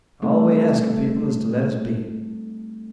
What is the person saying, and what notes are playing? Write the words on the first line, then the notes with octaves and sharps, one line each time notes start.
All we ask of people is to let us be.
G3 A3 C4 D#4 A4